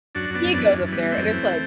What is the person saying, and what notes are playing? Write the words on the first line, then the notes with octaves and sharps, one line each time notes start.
he goes up there, and it's, like,
F#2 D4 F#4
F#2 B3 D4
F#2
E3 B3 D4
F#2
E3 G3 B3
E3
F#2 A3 C4
E3